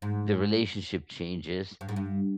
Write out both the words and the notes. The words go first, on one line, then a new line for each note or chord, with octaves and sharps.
the relationship changes
G#2
G2
G#2
G2